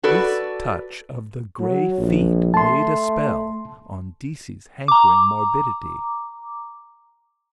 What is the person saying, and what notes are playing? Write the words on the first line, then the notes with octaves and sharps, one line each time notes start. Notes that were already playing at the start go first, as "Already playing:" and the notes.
This touch of the grey feet laid a spell on Deasey's hankering morbidity.
F#4 A4 B4 D5
F#3
A#1
A3 A5 C6
A#5 D6